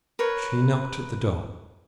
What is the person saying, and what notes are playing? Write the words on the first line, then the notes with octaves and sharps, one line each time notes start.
She knocked at the door.
A#4 B4 C#5